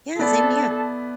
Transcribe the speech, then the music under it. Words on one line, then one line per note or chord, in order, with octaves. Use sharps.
Yeah, same to you.
B3 E4 A4 B4 D5